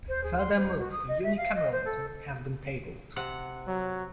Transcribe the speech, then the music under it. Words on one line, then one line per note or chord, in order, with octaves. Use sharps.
Further moves to unicameralism have been tabled.
C5
G#4
C6
C5
F#4
D#6
D#5
E5
F5
D#5
C5
A4
C3 F#5
F#3